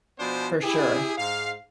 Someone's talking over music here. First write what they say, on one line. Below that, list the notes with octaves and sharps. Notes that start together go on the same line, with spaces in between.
for sure.
B2 F3 B3 D4 C5 G#5
E4 G4 G#4
G#2 F5